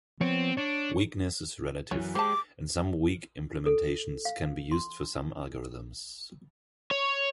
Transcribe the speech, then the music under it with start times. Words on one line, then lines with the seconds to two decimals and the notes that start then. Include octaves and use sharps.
Weakness is relative, and some weak implementations can be used for some algorithms.
0.21 F3 B3 C4 C#5
0.57 D4 C#5
1.91 F#2 E3 C#5
2.15 G#3 G4 C5 A5 D6
3.66 A4
4.25 F5
4.72 C6
6.91 C#5